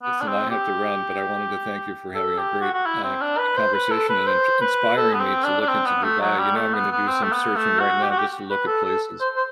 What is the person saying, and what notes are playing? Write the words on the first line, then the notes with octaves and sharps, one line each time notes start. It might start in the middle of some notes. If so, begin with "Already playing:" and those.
Listen. I have to run, but I wanted to thank you for having a great, uh, c conversation and int inspiring me to look into Dubai. You know, I'm gonna do some searching right now just to look at places
B3
D4
C4
G4
A4
G4
F#4
F#4
E4
C4
D4
B4
C5
B4
A4
B4
C5
B4
A4
B3
C4
D4
D4
C4
B3
A3
F#3
G3
A3
B3
B3
C4
A3
B3
A3
F#4
G4
F#4
G4
B4
A4
A4
C5
C5